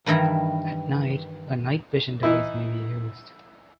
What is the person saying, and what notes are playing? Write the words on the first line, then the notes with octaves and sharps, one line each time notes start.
At night, a night-vision device may be used.
G2 D#3 E3 E5 A#5
E3 D#4 E4